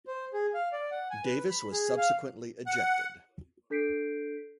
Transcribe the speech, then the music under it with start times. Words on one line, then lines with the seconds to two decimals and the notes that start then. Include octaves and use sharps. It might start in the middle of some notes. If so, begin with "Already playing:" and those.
Davis was subsequently ejected.
0.07 C5
0.33 G#4
0.54 F5
0.72 D5
0.91 F#5
1.11 G#5
1.25 B4
1.49 B5
1.72 G#4
1.97 F5
2.66 F#5
3.70 D4 A4 G6 B6 C7 D7